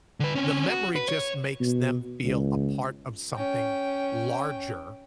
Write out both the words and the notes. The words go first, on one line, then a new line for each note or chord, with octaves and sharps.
the memory just makes them feel a part of something larger
D3 B4
C4 C#4
F#4
B4
C#5
B2
C#2
C#4 G5